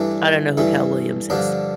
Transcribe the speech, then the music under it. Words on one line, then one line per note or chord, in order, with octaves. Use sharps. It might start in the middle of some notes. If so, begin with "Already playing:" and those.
I don't know who Cal Williams is.
Already playing: G2 E3 A3 D4
G2 E3 A3
G2 D3 F3 D4